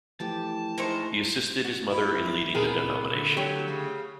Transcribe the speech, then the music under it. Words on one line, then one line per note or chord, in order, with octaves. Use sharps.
He assisted his mother in leading the denomination.
E3 F3 A3 G4 G5 A5
G#3 D#4 E4 A#4 C5 C#6
F#4
E4
A#2 B3 C4 G#4 A#4
D3 A3
F#3 G4 C#5
C#3